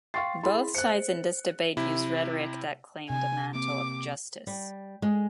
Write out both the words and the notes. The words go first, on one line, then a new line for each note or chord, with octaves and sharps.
Both sides in this debate use rhetoric that claims the mantle of "justice".
F5 G5 C6 C#6 A6 C7
E4 G#4 B5 C6
C5 F#6 C#7
C3 E4
C3 G#5
A#3 C4 D6
G3
G#3